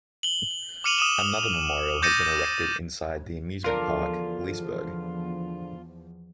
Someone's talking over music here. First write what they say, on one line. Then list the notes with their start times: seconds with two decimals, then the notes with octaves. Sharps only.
Another memorial has been erected inside the amusement park Liseberg.
0.23 F#7 G7
0.84 D6 F6 C#7 D#7 F7 F#7
0.98 D#6 D#7 E7
2.02 D6 G6 A6 A#6 C#7 D#7
3.64 E2 D3 F3 D4 F4 A#4